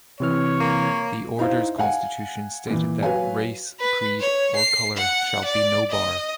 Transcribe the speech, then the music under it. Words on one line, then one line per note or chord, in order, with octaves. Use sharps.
The Orders constitution stated that "race, Creed or Color shall be no bar".
C3 E3 C#5 F6
A#3
D#4 E4 C5 F5
F5 F#5 G#5
A#2 E3
F#3 B4 C#5 F5 G#5
B4
C#5
C7
F#5
D5
D#5